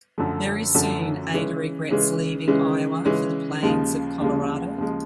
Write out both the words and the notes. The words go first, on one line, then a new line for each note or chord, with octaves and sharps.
Very soon Ada regrets leaving Iowa for the plains of Colorado.
F#2 D3 F3 A3
F#2 D3 F3 A3
C#3 E3 G#3 C#4
C#3 E3 G#3 C#4
C#3 E3 G#3 C#4
C#3 E3 G#3 C#4
D#2 C#3 F3 G#3
D#2 C#3 F3 G#3
D#2 C#3 F3 G#3